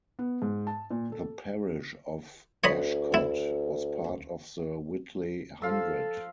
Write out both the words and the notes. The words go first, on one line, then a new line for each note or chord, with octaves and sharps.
The parish of Ashcott was part of the Whitley Hundred.
B3
G#2
A5
A#2
A4
D2 C#5 D#5 B5
E4
F3 A4 F5 E6